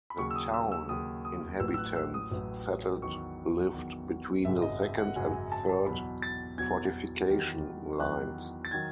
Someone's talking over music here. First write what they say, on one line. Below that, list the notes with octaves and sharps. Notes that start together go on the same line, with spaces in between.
The town inhabitants settled lived between the second and third fortification lines.
B5
D#2 C#3 F#3 C#6
E6
D#6
E6
E6
D#2 C#3 F#3 D#6
D#6
A1 A2 F#3 E6
E6
F#6
E6
D#6
A1 A2 F#3
E2 D#3 F#3 C#6
E2 D#3 F#3
G#1 F#2 C#3 F#3 E5
D#5
E5
F#5
G#1 F#2 C#3 F#3 G#5
G#5
A5
A5
E2 B2 F#3 B5
A6
E2 B2 F#3 G#6
E2 D#3 F#3
E2 D#3 F#3 F#6
A6
D#3 F#3 G#6